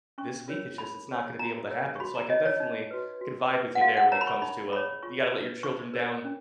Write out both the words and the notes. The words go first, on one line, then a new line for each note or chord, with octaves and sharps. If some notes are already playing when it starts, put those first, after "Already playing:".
this week, it's just it's not gonna be able to happen." So I can definitely I can vibe with you there when it comes to, uh, you gotta let your children down
C#4 C#6
F4 A#4 C#5
D#4 B5
G#4 C#5
F#4 A#5
A#4 C#5
C#6
F#4 B5
A#5
C#5 D#5
C#5
D#4
F#4 B4
F#4
B4
F#5
F#4 F5
F#5
A#4 C#5 A#5
B5
C#6
D#4 B5
G#4 C#5 B5
F4 C#6
B4
F#4 C#6
A#4 C#5
C#4